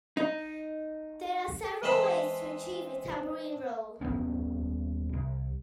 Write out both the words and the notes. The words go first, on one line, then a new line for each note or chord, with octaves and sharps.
There are several ways to achieve a tambourine roll.
D#4
E3 G#3 C4 A5 B5 C6
D#1 B2 B3 C#4
C2